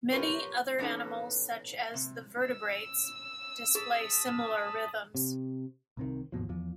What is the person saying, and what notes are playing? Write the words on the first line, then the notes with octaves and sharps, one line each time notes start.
Many other animals such as the vertebrates, display similar rhythms.
F4 G4 A#4 B4 C#5
E3 B3 C#4 D#4 A4 B4
C3
E6
G#4 A5 B5 D#6
C3
C2 C3 D#3
G#1 D#2 B2 F3
E2 F3